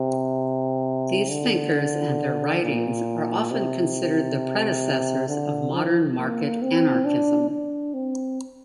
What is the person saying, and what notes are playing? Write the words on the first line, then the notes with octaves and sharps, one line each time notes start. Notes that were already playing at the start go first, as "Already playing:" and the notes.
These thinkers and their writings are often considered the predecessors of modern market anarchism.
Already playing: C3
D3
A#2
C3
D3
F3
A#3
C4
D4
D4
C4